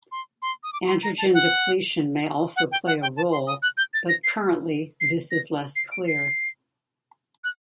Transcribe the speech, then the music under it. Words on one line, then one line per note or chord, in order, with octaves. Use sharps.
Androgen depletion may also play a role, but currently this is less clear.
C6
C6
D#6
D6
C6
A#5
A5
F#5
F#5
G5
F#5
G5
A5
C6
D#6
F#6
G6
A6
A#6
C7
C7
A#6
C7
D7
C7
F#6